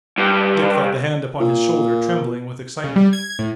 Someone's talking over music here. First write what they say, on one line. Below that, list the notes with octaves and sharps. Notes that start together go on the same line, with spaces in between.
Dick felt the hand upon his shoulder trembling with excitement.
G2
A#2
C#3
G3
G#6
A2